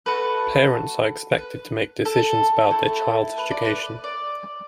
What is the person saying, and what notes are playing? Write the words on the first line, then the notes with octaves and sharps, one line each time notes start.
Parents are expected to make decisions about their child's education.
A3 F#4 A4 B4
B4
A4
A3 E4 A4
B4
D5
B4
D5